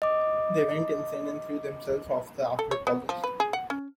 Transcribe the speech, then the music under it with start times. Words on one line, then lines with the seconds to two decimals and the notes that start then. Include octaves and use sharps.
They went insane and threw themselves off the Acropolis.
0.02 D#5 D6
2.59 A4
2.71 C#5
2.87 B3
3.09 F3
3.24 B4
3.40 G#4
3.53 F#5
3.70 C#4